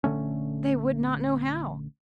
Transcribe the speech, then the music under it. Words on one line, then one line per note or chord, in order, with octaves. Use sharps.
They would not know how.
A#1 D3 A3 C#4